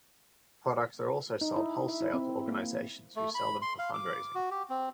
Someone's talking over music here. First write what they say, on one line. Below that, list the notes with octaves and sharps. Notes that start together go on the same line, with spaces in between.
Products are also sold wholesale to organizations who sell them for fundraising.
D#4
E4
E5
E4
C4
A#3
A3
B5
C6
F5
D6
F#4
G4
C4